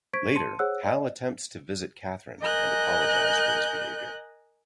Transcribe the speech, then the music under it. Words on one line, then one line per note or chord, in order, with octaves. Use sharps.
Later, Hal attempts to visit Catherine and apologize for his behavior.
C5 C#6 G#6 B6 D7
A5 C6 C#7 D#7
G#4 C5 C#5 F#5 E6 F#6
D5 D#5
A#4 D#5 G#5 F#6 G6